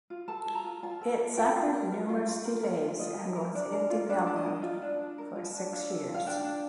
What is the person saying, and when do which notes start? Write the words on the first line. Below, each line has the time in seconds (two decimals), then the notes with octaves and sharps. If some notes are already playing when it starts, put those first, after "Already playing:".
It suffered numerous delays, and was in development for six years.
0.10 F4
0.28 A4 A5
0.47 A4
0.55 A#5
0.64 F4
0.83 F4 A5
1.01 A4
1.19 A4
1.37 F4 G5
1.56 F4
1.73 A#4
1.92 A#4
2.09 F4
2.28 F4
2.45 A#4
2.63 A#4
2.83 F4
3.00 F4 D#5
3.19 A#4
3.36 A#4
3.55 D4 D5
3.72 A#4
3.90 F4
4.09 D4 D5
4.27 D4
4.36 D#5
4.46 A#4
4.63 F4
4.82 D4
4.99 D4
5.18 A#4
5.36 F4
5.44 A5
5.54 D4
5.72 D4 F5
5.90 A4
6.08 F4
6.15 F5
6.26 D4 G5
6.44 D4